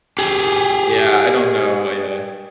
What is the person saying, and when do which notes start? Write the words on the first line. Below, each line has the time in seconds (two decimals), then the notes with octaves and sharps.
Yeah, I don't know. Yeah.
0.19 G4 G#4